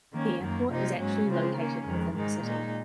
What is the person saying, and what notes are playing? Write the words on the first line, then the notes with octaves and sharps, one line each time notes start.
The airport is actually located within the city.
D#3 A#3 C#4
F#2 D#3 A#3
C3 F3 A#3 D#4
G#2 F#3 C#4
C#3 F3 G#3 C4
D#3 A#3 C#4
F2 D#3 G#3
G#2 D#3 G#3 D#4
A#2 G#3 D#4